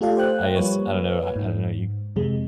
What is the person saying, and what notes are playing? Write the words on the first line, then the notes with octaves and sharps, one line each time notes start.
I guess, I don't know I I don't know, you
A3 F4 G4 A4 D5 F5
C5 G5 F#6
F3 G3 A#3 B4 C#5
G#2
F2 C3 G#3